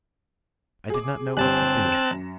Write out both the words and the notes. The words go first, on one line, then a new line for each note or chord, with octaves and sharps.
I did not know what to do.
G#4 D6
G1 G3 C4 G#5 A5 F#6
A#6 E7
F#2